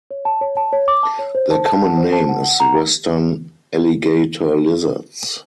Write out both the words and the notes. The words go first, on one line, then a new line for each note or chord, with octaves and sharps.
Their common name is western alligator lizards.
C#5
A5
C#5
A5
C#5
D6
A5
C#5
C5
A5
A5
F#5
C5
A5
F#5
F#5
A#5